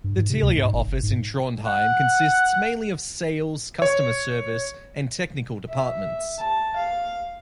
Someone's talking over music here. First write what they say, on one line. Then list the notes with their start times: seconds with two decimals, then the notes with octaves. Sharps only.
The Telia office in Trondheim consists mainly of sales, customer service and technical departments.
0.04 G2
0.17 G#2
0.30 C3
0.42 D2
0.57 G#2
0.73 G1
0.87 G1
1.03 G#2
1.66 F#5
3.82 C#5
5.69 E5
6.39 A5
6.76 F5